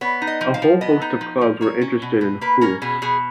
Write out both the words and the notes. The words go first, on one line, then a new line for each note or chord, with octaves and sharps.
A whole host of clubs were interested in Hulse.
B3 C#5
D#4
D#5
F3
F5
F3
B3 D#5
D#4
F3
F3
A#3 C#5
C#4
B2
B2
A#3 B4
C#4 A#4
B2 G#4
B2 G#4